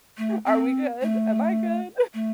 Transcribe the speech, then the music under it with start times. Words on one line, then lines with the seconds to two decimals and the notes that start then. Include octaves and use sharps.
Are we good? Am I good?"
0.18 A3
0.46 C4
1.02 A3
2.14 A3